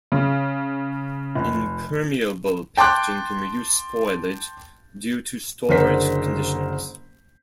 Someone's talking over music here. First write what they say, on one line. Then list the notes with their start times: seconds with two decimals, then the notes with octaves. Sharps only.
Impermeable packaging can reduce spoilage due to storage conditions.
0.12 C#3
1.35 F1
2.77 G5 A5 C6 D6 F#6
5.69 F#1 D3 A#4 C5 B6